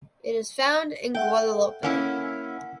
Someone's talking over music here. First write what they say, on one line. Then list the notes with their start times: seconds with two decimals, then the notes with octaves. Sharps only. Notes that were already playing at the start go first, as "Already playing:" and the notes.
It is found in Guadeloupe.
1.14 A4 E5 F#5 G5
1.83 A#3 C#4 E4 F#5 E6